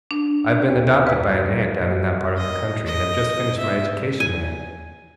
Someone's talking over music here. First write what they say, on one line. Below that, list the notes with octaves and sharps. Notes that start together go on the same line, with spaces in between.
I have been adopted by an aunt down in that part of the country, and have just finished my education there.
D4
D#2
B4
D#5
D#5
E5
G#5